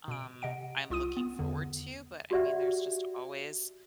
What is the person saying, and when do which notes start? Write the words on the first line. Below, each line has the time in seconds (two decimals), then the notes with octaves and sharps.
um, I'm looking forward to, but, I mean, there's just always
0.08 B2 D7
0.42 C3 D#5 F#5 D7
0.90 C2 F4 C6 D#6 D#7
1.17 B3
1.39 E2 D3
2.31 F#4 G4 D5 E5 F#5